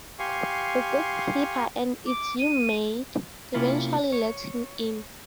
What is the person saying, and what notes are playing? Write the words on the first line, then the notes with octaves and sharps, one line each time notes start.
The gatekeeper, an "Itsumade", eventually lets him in.
G4 F5 G#5 C6 C#6
D6
D#7
C3 A#3 C#4 E4 F4
C#5